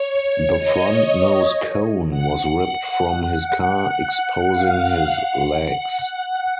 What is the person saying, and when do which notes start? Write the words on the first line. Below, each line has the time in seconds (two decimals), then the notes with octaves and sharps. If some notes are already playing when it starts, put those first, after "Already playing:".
The front nose-cone was ripped from his car, exposing his legs.
Already playing: C#5
0.29 C#5
0.58 D#5
2.10 F#5
2.71 F#5
3.31 F#5
4.52 F5
5.13 F#5